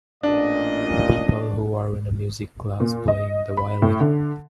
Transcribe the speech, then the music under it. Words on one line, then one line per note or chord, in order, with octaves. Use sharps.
People who are in a music class playing the violin.
A1 A#2 D4 D#5
A#2
D#5
B5
A2
D3